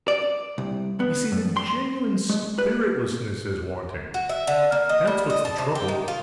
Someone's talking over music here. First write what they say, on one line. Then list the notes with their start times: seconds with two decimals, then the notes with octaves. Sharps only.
You see, the genuine spiritlessness is wanting; that's what's the trouble.
0.08 D5
0.58 C2
1.00 B3
1.32 F#2
1.57 C6
2.30 G#3
2.58 B4
4.14 F#4
4.29 E5
4.47 D3
4.72 A#3
4.89 D#5
5.07 G3
5.30 D#5
5.45 A5
5.58 C3
5.75 G4
5.88 D#3
6.08 F4